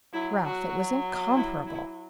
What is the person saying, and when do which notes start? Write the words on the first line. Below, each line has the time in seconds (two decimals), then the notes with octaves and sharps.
"Ralph, it was incomparable!"
0.14 F#3 E4
0.44 F#4
1.36 E4
1.67 E4